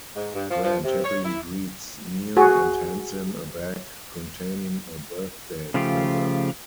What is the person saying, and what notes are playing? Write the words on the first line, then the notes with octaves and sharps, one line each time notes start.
Grant happily greets Neal, and hands him a bag containing a 'birthday present.
G#2
G2
F3
F3
C3
C#5
E4
F#4 G#4
C#3 F3 A3 F4 G4